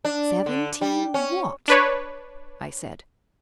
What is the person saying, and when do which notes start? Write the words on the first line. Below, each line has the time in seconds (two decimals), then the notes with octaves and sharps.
"Seventeen what?" I said.
0.05 D4
0.46 D3
0.81 G3
1.14 C#4
1.68 D4 B4 C#5